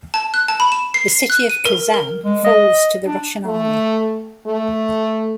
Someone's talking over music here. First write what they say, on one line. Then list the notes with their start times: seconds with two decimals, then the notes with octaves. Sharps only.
The city of Kazan falls to the Russian army.
0.14 A5
0.34 F#6
0.48 A5
0.60 B5
0.72 E7
0.94 C7
1.08 C7
1.30 F#6
1.50 D#7
1.65 A#4
1.94 A#4
2.25 G#3
2.45 D#5
3.07 D4
3.45 A3
4.47 A3